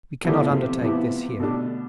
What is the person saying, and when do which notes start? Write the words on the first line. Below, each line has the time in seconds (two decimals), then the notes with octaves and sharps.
We cannot undertake this here.
0.24 D3 F3 B3 E4 G4
0.53 C3
0.82 C3 F3 B3 E4 G4
1.40 B2 D3 A3 D4 G4